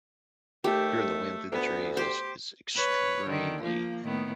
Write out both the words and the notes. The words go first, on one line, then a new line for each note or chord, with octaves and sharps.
hearing the wind through the trees is is extremely
D#2 A3 G4
D2 B3
G4 C5
B4 C#5
D3 D#3
F3 A#3
A2 D#3 B3